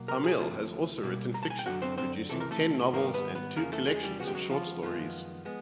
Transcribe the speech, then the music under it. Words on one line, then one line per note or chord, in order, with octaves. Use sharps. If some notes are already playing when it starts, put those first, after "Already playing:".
Hamill has also written fiction, producing ten novels and two collections of short stories.
Already playing: B2 F#3 A#3
A#4 A#5
G#4 G#5
D2 C3 F3 A3
B2 G3 A#3
A#5
A5
G#5
G5
F#2 D3 F#3 F#4 F#5
C4 C5
C4 C5
C#2 C3 E3 A4
A#4
A3 A4
G#2 D#3 G3 A#3 B3 A#4
B3 B4
B3 B4
E2 C#3 F3 A#3 A#4
A3 A4
G#3 G#4
G3 G4
D#2 C#3 F3 G#3 B3 F#4
G4
F#3 F#4
F3 F4
F#2 D#3 F3 G#3 B3 F4
G#3 B3